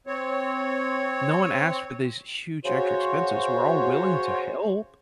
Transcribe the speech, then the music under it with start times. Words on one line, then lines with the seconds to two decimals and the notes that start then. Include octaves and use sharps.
no one asked for these huge extra expenses. We're all willing to help,
0.07 C4 C#5
2.65 C#3 F#4 C5 C#5